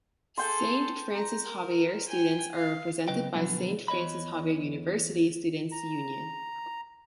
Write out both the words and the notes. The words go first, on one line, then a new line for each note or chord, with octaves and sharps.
Saint Francis Xavier students are represented by Saint Francis Xavier University Students' Union.
G#4 A4 G5 C6
A#5
A#4
G5 G#5
F5
C#3 F#3 B4 D#5 G5
B2 D3 F3 F#3 B3
E2 C#5 D#5 B5
A#5